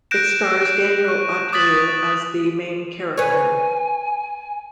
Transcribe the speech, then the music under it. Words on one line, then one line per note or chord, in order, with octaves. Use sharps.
It stars Daniel Auteuil as the main character.
F#6 G6 A#6 D7 E7
C#6 F#6
D6 D#6 F#6 A6 B6 F#7
B4 C#5 G#5